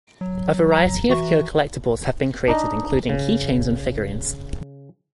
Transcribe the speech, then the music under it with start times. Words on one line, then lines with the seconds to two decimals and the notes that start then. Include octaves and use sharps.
A variety of Kyo collectibles have been created, including key chains and figurines.
0.21 F#3
0.72 A#5
1.09 E3 F#4 E5 C#6
2.48 D4 D#4 D#5
3.09 C#3